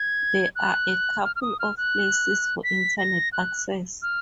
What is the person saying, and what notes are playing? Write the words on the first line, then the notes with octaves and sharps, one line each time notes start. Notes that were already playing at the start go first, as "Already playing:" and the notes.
There are a couple of places for internet access.
Already playing: G#6
F#6
F6
F6
D#6
F6
F#6
B6
A#6
F#6
F6